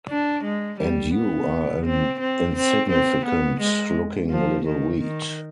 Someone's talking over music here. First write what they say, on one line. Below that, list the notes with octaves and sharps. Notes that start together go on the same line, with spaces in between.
And you are an insignificant-looking little weed.
D4
G#3
G3
B3
C4
C4
C4
C4
B3
G#3
F3
D#3
D#3